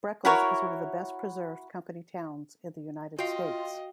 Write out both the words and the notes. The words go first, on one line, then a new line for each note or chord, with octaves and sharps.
Spreckels is one of the best-preserved company towns in the United States.
E4 F#4 A#4 C#5
F4 F#4 D#5 F5 G5